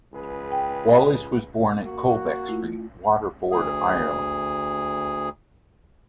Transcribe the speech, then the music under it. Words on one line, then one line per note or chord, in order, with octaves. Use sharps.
Wallace was born at Colbeck Street, Waterford, Ireland.
C#2 G#4 B4
G5
A#3 F#4
A3 E4 F4
D2 G#4